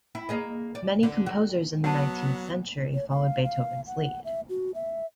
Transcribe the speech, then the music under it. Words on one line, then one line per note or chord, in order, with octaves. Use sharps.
Many composers in the nineteenth century followed Beethoven's lead.
E4
A#3 G#4 D#5
D5
D3
F#4
F#3 B3 F#5 A5
C#5
F5
F5
F#5
E5
F#4
E5